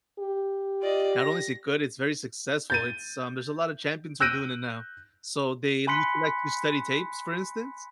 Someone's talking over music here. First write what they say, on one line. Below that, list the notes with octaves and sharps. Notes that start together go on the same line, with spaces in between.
Not only is it good, it's very successful, it's, um there's a lot of champions who are doing it now, so, they used to like to study tapes, for instance,
G4
F4 D5 D#5
A#6
G6 A6 D#7
E6 F#6 G6 A#6 D7 D#7
G#5 B5 C6 F#6 B6 C#7